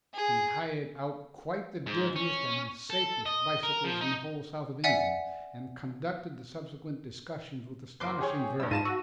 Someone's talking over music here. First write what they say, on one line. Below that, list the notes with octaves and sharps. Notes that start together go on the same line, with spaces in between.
He hired out quite the dirtiest and unsafest bicycles in the whole south of England, and conducted the subsequent discussions with astonishing verve.
G#4
G#2
C#4
A4
D#5
A#4
F3
D#4
D5 E5 F#5 G#5
F#1 C6 D6
G4 G#4 C#5
G2 G3 E6
G#2 F4 A5 A#6 D#7 E7
F#4 E6